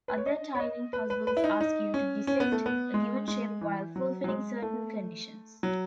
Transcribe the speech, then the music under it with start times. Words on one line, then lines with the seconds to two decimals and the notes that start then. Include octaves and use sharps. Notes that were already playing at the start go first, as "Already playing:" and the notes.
Other tiling puzzles ask you to dissect a given shape while fulfilling certain conditions.
0.08 B4
0.18 C#5
0.26 D#5
0.55 C#5
0.60 D#5
0.93 B4
1.10 B4
1.27 B4
1.37 E4
1.44 D#4
1.61 D#4
1.94 C#4
2.27 C#4
2.40 B3
2.52 A3
2.66 B3
2.94 G#3
3.28 G#3
3.61 E3
3.96 F#3
4.24 F#3
4.28 G#3
4.62 A3
5.63 F#3